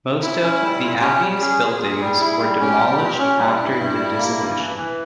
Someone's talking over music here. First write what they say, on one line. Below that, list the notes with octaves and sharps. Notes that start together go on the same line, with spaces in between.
Most of the abbey's buildings were demolished after the dissolution.
A#2 E4
C#4
G3
A#2
C#4 G4
G3
C#4 G#4
A#2
A#2
G3
E4
G3
C#4 G4
G3
A#2
C#4
G3 E4
G2
G2
G3
A#3
G2
E3
E3